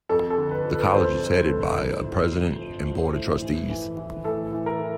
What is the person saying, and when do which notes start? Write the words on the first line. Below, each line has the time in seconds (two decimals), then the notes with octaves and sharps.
The College is headed by a President and Board of Trustees.
0.09 F2 A4
0.30 A4
0.38 D3
0.51 B4
0.65 F3
0.72 B4
0.93 F2 C5
1.21 F2
1.48 D3
1.76 F3
2.03 A2
2.31 F3
2.59 F3
2.87 F3
3.14 A2
3.42 E3
3.69 E3
3.97 E3
4.25 A2 A4
4.53 E3
4.66 A#4
4.79 E3